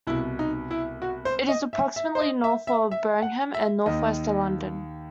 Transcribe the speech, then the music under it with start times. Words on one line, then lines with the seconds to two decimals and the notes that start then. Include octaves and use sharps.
It is approximately north of Birmingham and north-west of London.
0.07 C2 B2 E4
0.39 D#4
0.71 E4
1.02 F#4
1.25 C5
1.49 D#5
1.73 E5
1.96 E5
2.15 C5
2.20 D#5
2.44 E5
2.67 E5
2.91 E5
3.22 F#5
3.54 E5
3.86 D#2 D#3 D#5